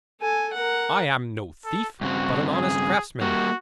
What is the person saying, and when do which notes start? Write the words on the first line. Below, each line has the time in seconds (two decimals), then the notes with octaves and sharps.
I am no thief, but an honest craftsman.
0.21 A4 G#5
0.53 A#4 F#5
1.64 A4
2.01 G2 C#3 C4 F#4
2.53 G#4
3.21 G3 A#3 F#4